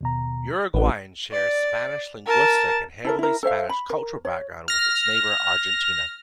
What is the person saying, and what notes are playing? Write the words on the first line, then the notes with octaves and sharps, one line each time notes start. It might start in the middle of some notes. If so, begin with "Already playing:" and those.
Uruguayans share a Spanish linguistic and heavily Spanish cultural background with its neighbour Argentina.
D#2 B2 A#5
A1 B4
D5
A#4 A5
E4 A4 A#4
E4 A#4
A4 C5 E5 F5
B5
A#4
C#5
F6 A#6